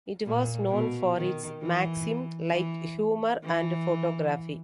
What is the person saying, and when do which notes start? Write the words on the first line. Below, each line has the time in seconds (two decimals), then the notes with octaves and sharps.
It was known for its "Maxim"-like humor and photography.
0.25 A#2
0.70 B2
1.15 D#3
1.62 E3
2.51 E3
3.43 E3